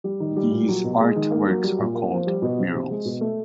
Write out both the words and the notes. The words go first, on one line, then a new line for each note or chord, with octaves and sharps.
These art works are called "murals".
G3
D#3
G3
A#2
F#3
B2
G#3
D#3
A#3
F#3
G3
A#2
A#3
F3
G3
B2
F3
C3
G#3
B2
A3